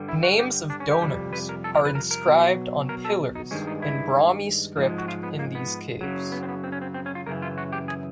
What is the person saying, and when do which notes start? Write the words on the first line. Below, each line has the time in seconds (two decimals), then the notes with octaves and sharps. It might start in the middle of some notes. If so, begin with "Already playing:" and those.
Names of donors are inscribed on pillars in Brahmi script in these caves.
Already playing: G2 D3 G3
0.08 E4
0.23 F#4
0.39 G4
0.70 D4
0.80 C#4
0.91 G4
1.01 F2 C3 G3
1.33 B4
1.49 A#4
1.64 A4
1.75 A#4
1.85 B4
1.95 A#4
2.11 A#4
2.27 B2 F#3
2.89 A#4
3.05 A4
3.35 D#4
3.51 G2 D#3 G#3 C#4
3.67 D#4
3.82 E4
4.77 G#2 F3 G#3
4.98 F#4
5.08 F4
5.23 B3
5.39 A#3
5.55 B3
6.01 F#2 C#3 F#3
6.32 B3
6.43 C4
6.49 B3
6.64 C4
6.72 C#4
6.82 C4
6.94 C4
7.06 C#4
7.15 F4
7.26 F#2 C#3 E3 A#4
7.42 F4
7.58 F#4
7.73 G4
7.88 G#4